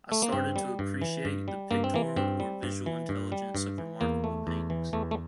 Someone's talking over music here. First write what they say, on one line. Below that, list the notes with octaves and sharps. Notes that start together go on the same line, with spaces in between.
I started to appreciate the pictorial or visual intelligence of remarkable paintings.
A3
A#3
G2 C4
G3
G2
E3
G2
G3
G2 A#3
C4
E3 A#3
G2 C4
G3
G2
E3
G2
G3
G2
E3
E2 A#3
A3
E2
E3
E2 A3
A3